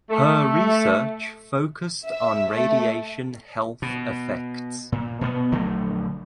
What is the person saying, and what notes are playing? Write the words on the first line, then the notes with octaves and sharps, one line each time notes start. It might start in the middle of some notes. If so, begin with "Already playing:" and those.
Her research focused on radiation health effects.
A3
E5
A3
B2
A#2
B2 G#3 B3
A#1 D3 F#3 A3